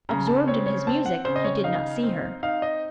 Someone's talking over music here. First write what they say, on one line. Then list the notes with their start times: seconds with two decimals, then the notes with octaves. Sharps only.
Absorbed in his music, he did not see her.
0.09 C#3 A#5
0.27 A5
0.47 C4 C#5
0.66 C#5
0.87 C4 A5
1.06 F#5
1.25 C#3 C5
1.36 D#5
1.44 C#5
1.64 D#4 F5
2.03 C4
2.43 D#4 F5
2.62 D#5